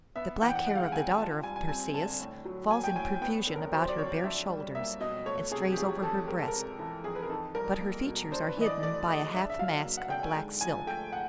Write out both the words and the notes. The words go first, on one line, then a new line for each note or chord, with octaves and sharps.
The black hair of the daughter of Perseis falls in profusion about her bare shoulders, and strays over her breast, but her features are hidden by a half-mask of black silk.
B3 E5
E3 F#5
G5
F#5
G#3 F#5
F5
F#5
C3 G#5
F4 A5
G3 G#5
G#5
C4 G#5
D3 A5
A2
F#3
A#3 G#5
G5
A2 G#5
B3 G5
D3
A#4
F#3 C5
D5
F2 C#5
D4 E5
G3
A#3 E5
B2 D#5
A3 C#5
C3 G#4
G4
F3 G#4
F2 A4
G#3 A#4
A4
A#4
C3
E3 A4
F2 G#4
B4
A#4
D#4 A4
G3 A#4
A#3
B2
D4 C5
B4
E3 D#5
D5
A3 D5
C#3 D#5
D4 E5
E5
F#3 F5
A#3
F#5
D3 G5
G#5
G#2
F3 G#5
A3 G5
F#5